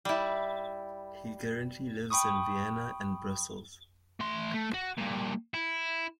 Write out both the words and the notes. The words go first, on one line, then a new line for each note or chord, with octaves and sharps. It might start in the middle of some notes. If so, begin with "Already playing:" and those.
He currently lives in Vienna and Brussels.
G3 E4
G5 B5 C#6 D#6
A3 C6
A3
F#4
G2 A#2
E4